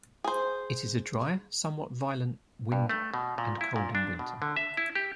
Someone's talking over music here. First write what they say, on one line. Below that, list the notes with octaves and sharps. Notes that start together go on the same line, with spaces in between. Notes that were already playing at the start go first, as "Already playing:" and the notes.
It is a dry, somewhat violent wind and cold in winter.
G#4 C5
G2
A3
B2
A#2
E4
A#2
D4
B2
D3
E5
E4
G4